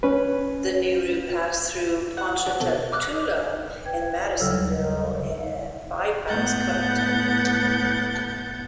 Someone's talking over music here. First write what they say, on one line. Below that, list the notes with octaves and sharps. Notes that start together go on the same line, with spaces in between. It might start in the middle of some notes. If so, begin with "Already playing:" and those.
The new route passed through Ponchatoula and Madisonville and bypassed Covington.
C#4 B4
F#5
D4
B2 A4
D6 F6 F#6
B4 G5 G#6
D#2 C#3 F#3 G3 A4 E6
A2 B3 F#5 G6 A6